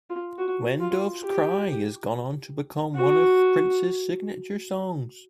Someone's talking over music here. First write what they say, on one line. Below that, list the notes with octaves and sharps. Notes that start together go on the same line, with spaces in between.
"When Doves Cry" has gone on to become one of Prince's signature songs.
F4
F#4
F4
G4
F#4